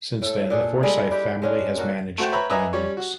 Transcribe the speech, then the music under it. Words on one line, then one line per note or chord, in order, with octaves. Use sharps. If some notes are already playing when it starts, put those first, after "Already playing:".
Since then, the Forsyth family has managed Dymocks.
A2 A4
A#2 D4 G#4 A4
G3 G#3 G#4 A4
D4 E4 G4
G#3 C#4 D4
A#3 F4 F#4 A4
A3 F#4 C5 F#5 G5
B4 C#5 E5 G5 A#5 B5
B4 D#5 E5 G#5 A#5 D6
G3 C#4 C#5
F#4